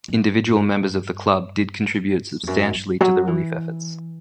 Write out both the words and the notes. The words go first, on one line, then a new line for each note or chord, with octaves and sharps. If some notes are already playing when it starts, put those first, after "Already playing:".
Individual members of the club did contribute substantially to the relief efforts.
G2
E2
F#2
G2
F#3
E3